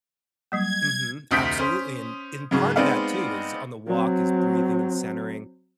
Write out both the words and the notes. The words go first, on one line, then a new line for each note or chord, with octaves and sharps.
Mhm. Absolutely. And and part of that, too, is on the walk is breathing and centering.
F#3 G3 A#3 G#6
F1 D2 D#6 G6 B6 D7
C#4 C5
G#2 C#3 F#3
G#3 B3 C4 D#4 D5 F5
F#3 C4